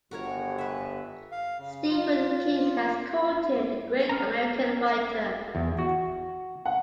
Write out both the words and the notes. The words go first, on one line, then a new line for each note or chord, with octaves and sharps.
Stephen King has called him the great American writer.
G1 F#4 A#4 C#5
B4 E5
F5
C#3
F4
A#5 F6
E2
F#4
F#5